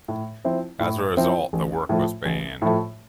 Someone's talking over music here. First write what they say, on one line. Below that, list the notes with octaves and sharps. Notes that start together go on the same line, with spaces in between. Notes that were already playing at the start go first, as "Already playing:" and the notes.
As a result the work was banned.
A2
F3 C4 E4
A2
F3 C4 E4
A1
A2 F3 A3
A1
A2 F3 A3